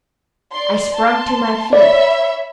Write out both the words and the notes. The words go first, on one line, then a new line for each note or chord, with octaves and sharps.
I sprung to my feet.
D5 C6
A5 C6
C#5 D5 E5 B5